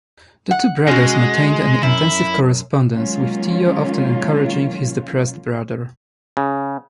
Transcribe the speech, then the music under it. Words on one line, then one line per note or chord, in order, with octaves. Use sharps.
The two brothers maintained an intensive correspondence, with Theo often encouraging his depressed brother.
F#5
G#3 C#4 F#4
F#2 E4
D#3 F#3 G#3 A#3 C#4 F4
C#3